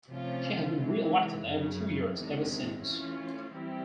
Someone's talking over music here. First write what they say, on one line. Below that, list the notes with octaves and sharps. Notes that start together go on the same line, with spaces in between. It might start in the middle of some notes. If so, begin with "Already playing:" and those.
She has been re-elected every two years ever since.
C3 F3 A3 C#4 F4
C3 E3 G#3
F#2 C#3 F#3
E2 C3 D#3 G#3
E3 A3 C#4 F4
E3 G3 C4 E4 G4